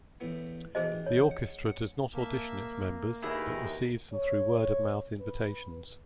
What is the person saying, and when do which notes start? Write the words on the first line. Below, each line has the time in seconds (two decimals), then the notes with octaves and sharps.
The orchestra does not audition its members, but receives them through word-of-mouth invitations.
0.20 E2 A2 B3
0.75 B2 E3 G#4 C5 D#5
0.92 A1
1.06 C#5
1.31 F#5
1.67 F#5
2.15 A#3 E5 A5
3.22 D#2 D#3 B3 E4 F#4 G#4 A#4
4.14 C#5
5.21 B4